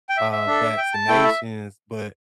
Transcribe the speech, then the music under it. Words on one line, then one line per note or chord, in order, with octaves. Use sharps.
uh, vaccinations, but
G5
E5
E5
D4 A4
G5
A5
A3 E4 A4 G5
E5